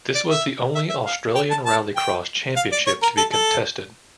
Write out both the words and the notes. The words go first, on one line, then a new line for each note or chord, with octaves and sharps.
This was the only Australian Rallycross Championship to be contested.
D5
E5
E5
E5
F5
G5
A5
A5
G5
F5
D5
C#5
A#4
A4
A4